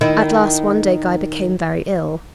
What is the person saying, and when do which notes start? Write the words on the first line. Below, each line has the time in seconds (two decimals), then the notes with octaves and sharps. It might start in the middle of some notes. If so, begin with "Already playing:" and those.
At last one day Guy became very ill.
0.01 D#3 E4